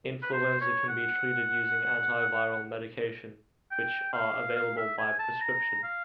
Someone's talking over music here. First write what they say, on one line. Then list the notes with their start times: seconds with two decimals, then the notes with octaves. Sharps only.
Influenza can be treated using antiviral medication, which are available by prescription.
0.23 B4
0.33 C5
0.61 C#5
0.89 F#5
3.71 G5
4.13 F5
4.56 F5
4.77 E5
4.98 G#5
5.19 A5
5.41 A#5
5.83 F5